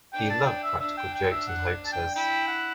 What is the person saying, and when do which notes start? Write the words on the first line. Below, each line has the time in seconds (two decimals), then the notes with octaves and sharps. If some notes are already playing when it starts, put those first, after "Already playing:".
He loved practical jokes and hoaxes.
0.13 D4 G5
0.30 A5
0.46 G5
0.64 E5
0.80 D4 E5
0.97 G5
1.14 G5
1.31 E5
1.48 F#5
1.86 A5
1.92 G5
2.15 E4 G5
2.48 F#5